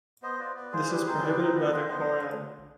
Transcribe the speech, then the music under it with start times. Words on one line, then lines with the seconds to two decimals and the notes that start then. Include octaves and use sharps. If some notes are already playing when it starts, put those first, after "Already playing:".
This is prohibited by the Quran.
0.22 B3 C5 D#5
0.39 F4 B4 D5
0.56 B3 B4 D5
0.72 F4 G#4 C5
0.89 G3 G4 B4
1.06 C4 D#4 G#4 C5
1.22 G3 B4 D5
1.39 C4 D#4 C5 D#5
1.56 B3 B4 D5
1.72 D4 F4 D#5 G5
1.89 B3 C5 D#5